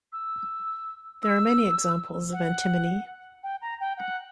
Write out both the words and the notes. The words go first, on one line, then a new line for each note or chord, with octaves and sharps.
There are many examples of antinomy.
E6
E6
F#5
G5
A#5
G5
F#5